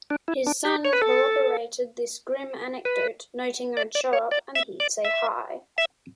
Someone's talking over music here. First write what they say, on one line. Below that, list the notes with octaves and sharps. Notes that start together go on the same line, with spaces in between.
His son corroborated this grim anecdote, noting I'd show up and he's say 'Hi.
D4
E4
D4
G4
C#5
B4
A4
B4
D5
D5
C#5
D5
E5
D5
E5
E5